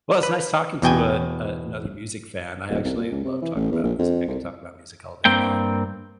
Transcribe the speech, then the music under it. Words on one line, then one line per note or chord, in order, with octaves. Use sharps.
Well, it's nice talking to an another music fan. I actually love talking about music. I could talk about music all day long.
B4
E2 B2 G5 G#5
D#1
C2
A#2
C#2
C3
E3
A1
E2
A#1
F2
C2
G2 A#3 C4 G5